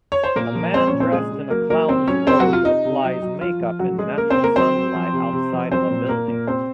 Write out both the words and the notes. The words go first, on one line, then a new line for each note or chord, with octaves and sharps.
A man dressed in a clown 's robe applies makeup in natural sunlight outside of a building.
C#5
C5
A#2 A#3 A#4
F3
F3 C4 C5
C#4 C#5
A#2
C4 C5
C#3 G#3 G#4
C#3
F#3 A#3 A#4
F#3 A#3 A#4
C3 C4 C5
F#3 C#4 C#5
C3 C4 C5
F#3 F#4
C3
F4
C3 D#4
C3
F#3
F#3
F3 F4
F3
C#3 F#3 F#4
C#3 G#3 G#4
C#3 A#3 A#4
C4 C5
C#3
A#3 A#4
F#3 C4 C5
F#3
F3
C3
C3
F3
F#3 C4 C5
A#2
A#2 A#3 A#4
A#2
C3 C4 C5